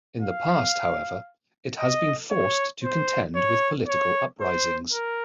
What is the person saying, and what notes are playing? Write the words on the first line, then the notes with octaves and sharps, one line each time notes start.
In the past, however, it has been forced to contend with political uprisings.
F5
D#5
C#5
C5
C#5
C#5
C5
A#4